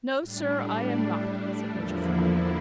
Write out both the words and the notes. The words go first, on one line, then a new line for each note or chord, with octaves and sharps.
"No, sir, I am not," said Major Flint.
A2 G3 D4
E2 D3 F3 A#3 E4